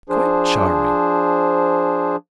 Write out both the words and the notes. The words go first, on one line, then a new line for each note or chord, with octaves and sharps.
Quite charming!
F3 D4 G#4 C5